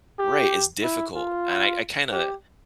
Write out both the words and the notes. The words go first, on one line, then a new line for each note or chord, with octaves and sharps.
Right, it's difficult, and I I kinda
G4
E4
F4
G4